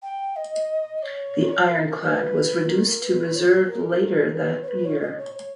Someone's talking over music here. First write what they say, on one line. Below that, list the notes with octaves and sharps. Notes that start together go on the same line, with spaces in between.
The ironclad was reduced to reserve later that year.
G5
D#5
C#5
A#4
A#4
B4
A#4
A#4
B4
C#5
A#4
B4
C#5
B4
C#5
D#5
C#5
C#5